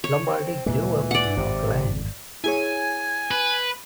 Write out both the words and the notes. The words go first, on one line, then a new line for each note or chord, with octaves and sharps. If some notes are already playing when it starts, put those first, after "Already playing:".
Lombardi grew up in Oakland.
C#5
C4
D2 A#2 E3 G#3
D5 F#5
G#1 C3
E4 G#4 C#5 G#5
B4